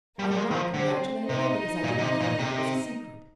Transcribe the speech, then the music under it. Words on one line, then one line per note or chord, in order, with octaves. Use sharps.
I have not congratulated her, because I didn't know whether it was a secret.
G3 A#3 A#4
G3
G#3
D#3
F3
D3 C4 C5
C3 D#4 D#5
A#2
D3
C3
A#2
C3